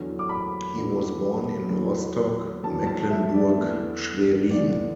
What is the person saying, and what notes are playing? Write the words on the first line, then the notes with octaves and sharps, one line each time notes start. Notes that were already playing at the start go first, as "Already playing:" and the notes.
He was born in Rostock, Mecklenburg-Schwerin.
Already playing: E2 D3 F#3
D6
B5
E2 D3 F#3
E2 D3 F#3
E2 D3 F#3 A5
A5
E5
D5
E2 D3 B3
E2 D3 B3 D5